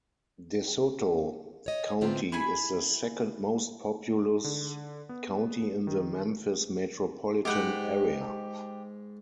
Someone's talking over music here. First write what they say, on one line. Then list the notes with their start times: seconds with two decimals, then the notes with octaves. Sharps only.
DeSoto County is the second-most-populous county in the Memphis metropolitan area.
1.66 C#5 D#5
2.01 A2 D3 B3 C4 D#4 F4
2.32 E4 G#4 G#5 B5
4.44 D3
5.09 B3
5.87 D#3
7.45 G#2 G#3 G4 F#5 B5